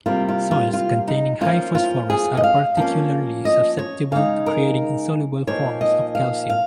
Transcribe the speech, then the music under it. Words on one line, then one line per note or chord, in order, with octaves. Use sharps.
Soils containing high phosphorus are particularly susceptible to creating insoluble forms of calcium.
C3 G3 A#3 F4
F4
F4
F4
D#4
F3 A#3 C#4 F4
F4
G#4
D#5
F5
F3 A#3 C#4
D#5
C#5
C#3 G#3 D#4 F5
A#4
A#2 F3 A#3 D#4 C#5
D#5
F5
F5